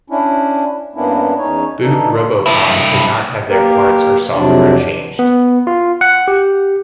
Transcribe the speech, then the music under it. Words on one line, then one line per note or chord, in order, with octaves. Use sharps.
Boot Robopon could not have their parts or software changed.
C#4 D4 E4
G2 A#3 B3 C#4 D4 E4
E2 C#4 D#4 C#5
E3 D4 D#4 A4
F4
G2 E4
A#3 G4 A#4
F2 C3 F#3 D4 D5
B3
F4
F#5
G4